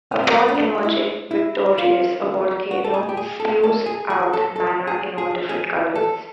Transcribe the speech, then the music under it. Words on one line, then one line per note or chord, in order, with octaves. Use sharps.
Upon emerging victorious, a volcano spews out mana in all different colours.
C#4
C4
C#4
D4
E4
E4
F4
F#4
A4
G#4
G4
G#4
A4
A4
G#4
G#4
A4
A4
G#4
G#4
G#4
A4